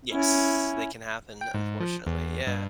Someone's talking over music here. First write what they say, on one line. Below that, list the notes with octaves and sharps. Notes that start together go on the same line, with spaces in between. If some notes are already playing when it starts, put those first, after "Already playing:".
Yes. They can happen, unfortunately, yeah.
C#4 E4
G5
G#2
F3
E2
G2